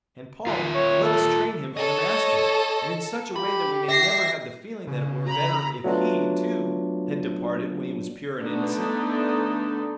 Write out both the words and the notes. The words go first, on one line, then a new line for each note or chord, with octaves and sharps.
And, Paul, let us train him for the Master and in such a way that we may never have the feeling that it were better if he, too, had departed when he was pure and innocent.
F4 A#4 E5
C#5
A4
A4 C#5 D#5
G4 B5
E5 A#6 C7
C#3
A#5 B5
F#3 A3 B3 D4 F4
D3 A3 B3 D4 D#4